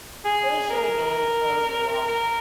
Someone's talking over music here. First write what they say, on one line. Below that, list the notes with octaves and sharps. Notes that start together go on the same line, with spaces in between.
Also known as Robin.
G#4
A#4
A#4